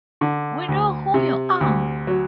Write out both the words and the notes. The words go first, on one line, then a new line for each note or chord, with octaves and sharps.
We know who you are.
D3
D2
C3
D2
F#3